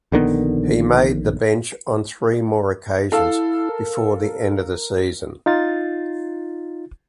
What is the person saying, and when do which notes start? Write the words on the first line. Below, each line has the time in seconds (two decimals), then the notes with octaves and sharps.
He made the bench on three more occasions before the end of the season.
0.12 A#1 D3 D#3 B3
3.12 E4 A4 F5 E6
3.69 A#4
5.46 D#4 F4 A6